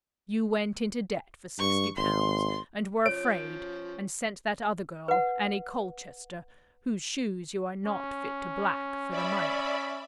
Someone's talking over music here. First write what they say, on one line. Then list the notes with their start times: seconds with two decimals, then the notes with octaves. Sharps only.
You went into debt for sixty pounds, and were afraid, and sent that other girl, Annie Colchester, whose shoes you are not fit to black, for the money.
1.59 G2 C#6
1.97 G#1 C6
3.06 F3 C#4 C#5 D7
5.08 B4 F#5
7.86 C#4
9.10 D5 E5 B5